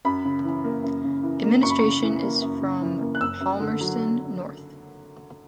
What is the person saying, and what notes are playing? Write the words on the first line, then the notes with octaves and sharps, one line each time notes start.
Administration is from Palmerston North.
F#2 B5
C#3
E3
A#3
F#2
C#3
E3
A#3
F#2 C#6
B5
C#3 C#6
E3
A#3
F#2
C#3
E3
A#3
F#6
F#1 E6
F#2
D3
F#3